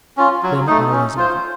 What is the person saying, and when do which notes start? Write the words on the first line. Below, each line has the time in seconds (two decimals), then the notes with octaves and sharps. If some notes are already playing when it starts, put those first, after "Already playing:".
Then all is over.
0.17 C#4 F4
0.43 F#3
0.67 A3 D#4
0.93 C#4
1.17 F4 C5